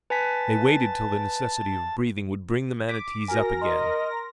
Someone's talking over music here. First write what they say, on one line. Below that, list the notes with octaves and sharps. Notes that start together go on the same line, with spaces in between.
They waited till the necessity of breathing would bring the manatees up again.
B4 G#5 A5 B6
D6 B6
F#4 A#4 G#5 A#6
D#5 C6